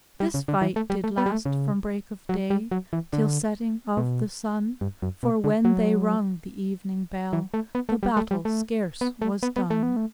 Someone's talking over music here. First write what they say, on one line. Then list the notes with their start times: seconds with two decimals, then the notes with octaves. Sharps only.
This fight did last from breake of day Till setting of the sun; For when they rung the evening bell, The battel scarce was done.
0.20 G3
0.34 C#3
0.48 D3
0.62 E3
0.76 A3
0.90 G3
1.04 A3
1.18 B3
1.26 G3
1.32 A3
1.46 C#3
2.29 F#3
2.50 G3
2.71 F#3
2.93 E3
3.13 D3
3.97 B2
4.81 G2
5.02 F#2
5.23 B2
5.44 D3
5.65 F#3
7.33 E3
7.54 A3
7.75 B3
7.89 A3
8.03 G3
8.17 A3
8.31 G3
8.45 A3
9.01 B3
9.22 A3
9.43 B3
9.56 B3
9.70 A3
9.83 B3
9.97 A3